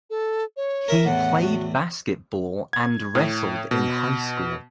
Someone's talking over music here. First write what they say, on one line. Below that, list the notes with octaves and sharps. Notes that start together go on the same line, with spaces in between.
He played basketball and wrestled in high school.
A4
C#5
A#4 E5
E2 A2 F#5
F#4
G#6
A2
B2